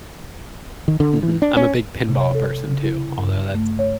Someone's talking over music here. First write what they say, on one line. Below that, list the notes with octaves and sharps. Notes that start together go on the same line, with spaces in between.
Mhm, I'm a big pinball person too, although that's
D#3
D3
E3
D4
C#4
C3
C#5
A4
C#3
E4
G2
A3
C#5